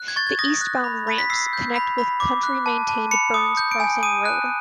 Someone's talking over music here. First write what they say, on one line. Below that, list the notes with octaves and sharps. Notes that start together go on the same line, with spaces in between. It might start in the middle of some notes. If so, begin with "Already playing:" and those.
The eastbound ramps connect with county-maintained Burns Crossing Road.
Already playing: F#6
G#6
C#6 A6
G#6
D#6 A#6
F#6
B5
B5
B6
E6 C7
G6
B5
B5
D6
F#6
A5
A5
B5 C#7
D#6
G6
D7
G#5
D#6 D#7
F#6